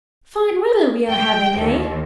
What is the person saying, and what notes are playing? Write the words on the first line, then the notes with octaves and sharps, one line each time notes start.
Fine weather we are having, eh?
G5
D#2